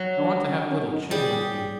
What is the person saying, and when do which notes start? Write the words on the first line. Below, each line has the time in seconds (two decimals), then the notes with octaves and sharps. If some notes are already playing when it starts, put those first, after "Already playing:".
I want to have a little chin with you.
Already playing: F#3
0.17 D4
0.49 C#4
0.69 C#4
0.90 D#4
1.11 G3 G#4